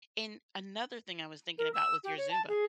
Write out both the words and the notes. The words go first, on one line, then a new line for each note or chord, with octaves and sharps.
and another thing I was thinking about with your Zumba:
A#4
E6
G4
C#5
A5
G#4